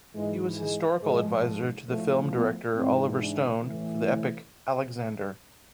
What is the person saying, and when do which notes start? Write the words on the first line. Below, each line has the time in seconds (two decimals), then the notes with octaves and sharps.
He was historical advisor to the film director Oliver Stone for the epic "Alexander".
0.14 G#2 E3 G#3
0.58 G#3
1.00 G#2 F3 G#3
1.87 A2 F3 A3
2.31 B3
2.75 G#2 E3 C4
3.19 D4
3.62 A2 E3